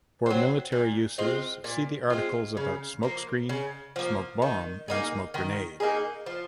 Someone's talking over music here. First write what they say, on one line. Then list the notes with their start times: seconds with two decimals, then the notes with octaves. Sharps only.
For military uses see the articles about smoke screen, smoke bomb and smoke grenade.
0.26 F#3 C4
0.72 A#2
1.18 G#3 C4 F4
1.64 A#2
2.10 G#3 C4 F4
2.57 C#3
3.03 F3 A#3
3.49 C#3
3.96 F3 A#3
4.42 D#3
4.88 A#3 D#4 G#4
5.34 D#3
5.80 A#3 D#4 G#4
6.26 F3